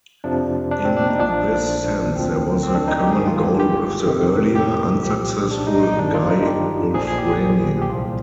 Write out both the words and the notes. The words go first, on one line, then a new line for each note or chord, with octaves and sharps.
In this sense there was a common goal with the earlier, unsuccessful, Guy Wulfrunian.
F2 C3 F3 D4
D4
C4
D4
D#4
A#1 A#2 F3 D4
D2 D3 F3 C4
C4
D4
D#4
G4
G#1 G#2 D#3 G#4
F4
G4
G4
F2 C3 D#3
G4
C2 A#2 F3 G4
D4
D#4
D#4
G1 G2 D#3 D4
F4
D#4
G4
A#1 A#2 F3 G#4
G#4
G4
G4
C2 A#2 F3 F4